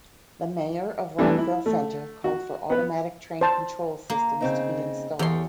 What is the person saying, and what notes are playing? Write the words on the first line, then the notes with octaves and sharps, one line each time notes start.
The mayor of Rockville Centre called for automatic train control systems to be installed.
E3 G3 A3 B3 D4
E4
A3
F#4
B3 B4
C5 A5
A#3
C#3 C4 D#4
E2 G4 A4 C#5 C6